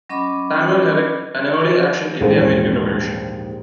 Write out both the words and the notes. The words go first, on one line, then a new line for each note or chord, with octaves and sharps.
Samuel Herrick, an early action in the American Revolution.
F#3 C#4 D#5 B5 D6
A#1 D#2 G#2 E3 G#4 C5